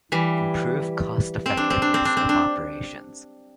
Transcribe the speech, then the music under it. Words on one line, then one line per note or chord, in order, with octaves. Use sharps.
Improve cost-effectiveness of operations.
E3 G3
C4
D4
C4
D4
C4
D4
C4
D4